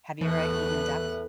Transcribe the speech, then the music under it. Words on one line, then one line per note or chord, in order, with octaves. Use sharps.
Have you ever eaten duck?
E2 A2 E3 B4 F#6